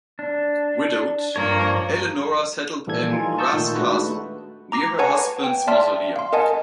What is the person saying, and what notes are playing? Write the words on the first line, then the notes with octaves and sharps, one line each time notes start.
Widowed, Eleonora settled in Graz Castle, near her husband's mausoleum.
D4
G2 F3 A#3 C#5
A#1 E3 G3 A#3 A4 G#6
D#4 F4 G#5
A5 C#6 D#6 E6 G6
A#2 D#3 A3 D#4 F4
G#3 A3 D4 F#4 B4
A#5 D6 A#6 C7
B4 C#5 F#5 G#5 A5 C#6
G5
D5 E5 A5 C6 F6
F5 C6
A#4 D#5 F#5 G#5 A5